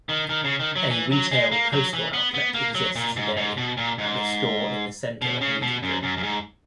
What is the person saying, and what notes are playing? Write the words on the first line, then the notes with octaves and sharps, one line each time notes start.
A retail postal outlet exists today at the store in the centre of Newtonville.
D#3
D#3
C#3
D#3
F#3
E3
F#3
G#3
A#3
F#3
E3
B3
B3
A#3
F#3
A#2
G#2
G#2
B2
A#2
G#2
B2
C#3
B2
F#2
F#2
F#2
G#2